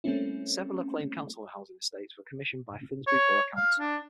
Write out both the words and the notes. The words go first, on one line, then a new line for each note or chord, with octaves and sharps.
Several acclaimed council housing estates were commissioned by Finsbury Borough Council.
G3 A3 A#3 C4 C#4 E4
C#5
F5
D4